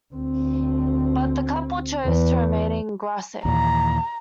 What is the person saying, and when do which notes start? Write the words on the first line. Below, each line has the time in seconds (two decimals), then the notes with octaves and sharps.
But the couple chose to remain in Grasse.
0.14 D2 C4
2.04 E2
3.45 D#2 A#2 E3 A#5